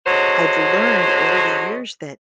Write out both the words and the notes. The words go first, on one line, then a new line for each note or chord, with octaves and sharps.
I've learned over the years that
D3 F#3 G#3 C#4 C5 C#5